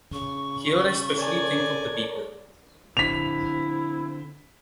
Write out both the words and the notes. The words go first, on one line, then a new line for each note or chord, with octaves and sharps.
Here I specially think of the people.
C#3 C#6
A4 A#4 C#5 D5 G#5
D3 C4 E4 B6 F7